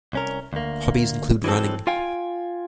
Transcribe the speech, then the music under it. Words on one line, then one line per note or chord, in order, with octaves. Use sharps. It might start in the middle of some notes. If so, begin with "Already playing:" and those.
Hobbies include running.
C2 C#4 A#4
D2 A#3
E3 F#3 G#3 C4 A4
F4 F5 G5 G#5